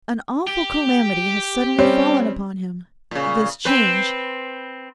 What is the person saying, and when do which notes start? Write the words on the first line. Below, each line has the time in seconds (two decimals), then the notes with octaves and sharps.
An awful calamity has suddenly fallen upon him--this change.
0.47 G4
1.78 G3 C4 C#4
3.11 A#2 C#3
3.65 C4 B4